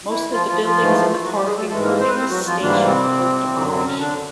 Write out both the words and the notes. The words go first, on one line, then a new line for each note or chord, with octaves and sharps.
Most of the buildings in the park, including the station, were demolished.
E3 E4
F3 F4
F3 F4
F3 F4
G#2 E3 A3
F#3 F#4
G3 G4
G#3 G#4
A3 A4
G#2 E3 G#3 A3 A4
A#3 A#4
C4 C5
B4
C4 C5
F#3 F#4
F3 F4
G#2 D3 E3 G3 A#3 D4
C3 C4
F#2 D3 F#3
C4
C#4
D3 D4